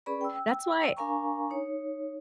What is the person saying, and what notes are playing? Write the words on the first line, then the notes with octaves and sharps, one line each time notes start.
That's why
C#4 G#4 B4 D5 B5
G5 E6
D4 A#4 F5 G#5 A#5 C#6
D#4 C#5